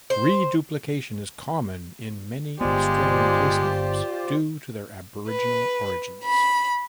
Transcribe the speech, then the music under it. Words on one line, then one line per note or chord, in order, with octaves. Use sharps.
Reduplication is common in many Australian place names due to their Aboriginal origins.
C5
G1 G#3 B3 F4 G4 C5 D5
B4
B5